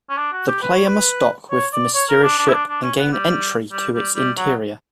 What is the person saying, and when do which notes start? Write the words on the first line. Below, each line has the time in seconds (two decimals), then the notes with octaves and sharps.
The player must dock with the mysterious ship and gain entry to its interior.
0.10 C#4
0.18 D4
0.32 F#4
0.47 G4
0.62 B4
0.75 C#5
0.87 B4
1.51 C#5
1.73 D5
1.94 C#5
2.09 A#4
2.23 D4
2.38 D4
2.48 E4
2.53 D4
2.69 D4
2.82 C#4
2.98 B3
3.12 G3
3.72 G3
3.94 G3
4.15 G3
4.37 F#3